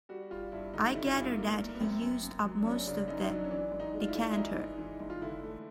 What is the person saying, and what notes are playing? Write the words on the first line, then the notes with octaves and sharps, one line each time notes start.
I gather that he used up most of the decanter.
G3 F#4
G3 F4
G2 E4
D3 D#4
D3 E4
F4
G2 E4
A#3
A#3
B3
F#2 C4
F#2
F#2
F#3
D4
F#2 C#4
C#3 D4
F#2 D#4
F#3 D4
C#4
E3 D4
G#2
D#4
G#3
F4
E4
G#3
E4
E3 D#4
G#2
E3
G#2
F4
D3 E4
A3